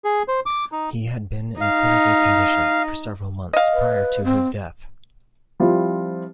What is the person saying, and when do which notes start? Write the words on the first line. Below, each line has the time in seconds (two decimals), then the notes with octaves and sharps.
He had been in critical condition for several months prior to his death.
0.04 G#4
0.28 C5
0.46 D6
0.72 D#4
1.61 D#4 F5
3.53 D#5 F5
3.73 B4
4.25 C4
5.60 F3 G3 C4 E4 F4